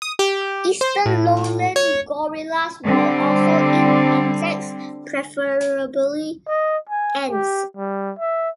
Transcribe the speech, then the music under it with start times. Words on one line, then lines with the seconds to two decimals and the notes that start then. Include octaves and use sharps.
Eastern lowland gorillas will also eat insects, preferably ants.
0.02 D#6
0.19 G4
0.81 C5
1.06 A2
1.76 C#5
2.84 D3 G3 C4
6.48 D#5
6.90 G#5
7.31 G4
7.77 G3
8.19 E5